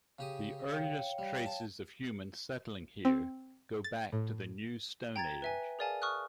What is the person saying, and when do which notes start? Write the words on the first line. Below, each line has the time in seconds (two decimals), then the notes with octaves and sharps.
The earliest traces of humans settling here go back to the New Stone Age.
0.19 C#3 G4 D#6
0.70 C#5 F5 G5
1.18 G3
1.46 A5
3.05 C4
3.84 A6
4.12 A2
5.16 G5 A#5 G#6 A6
5.42 B4 E5 G#5
5.79 G#4 A#4 D5 F5 G#5 A5
6.02 C#6 D#6 F6 F#6